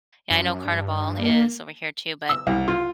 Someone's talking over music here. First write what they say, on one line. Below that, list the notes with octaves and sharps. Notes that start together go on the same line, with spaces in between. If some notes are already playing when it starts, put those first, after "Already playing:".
yeah, I know Carnival is over here too, but,
F#2
G2
A#3
E6
C2
F4